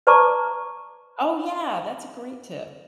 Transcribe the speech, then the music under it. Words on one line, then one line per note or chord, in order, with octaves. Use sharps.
Oh yeah, that's a great tip.
B4 D5 A5 A#5 C#6 D6